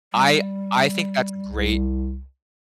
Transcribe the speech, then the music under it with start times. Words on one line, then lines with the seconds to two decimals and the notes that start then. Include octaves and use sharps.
I I think that's great.
0.13 G3
1.45 C2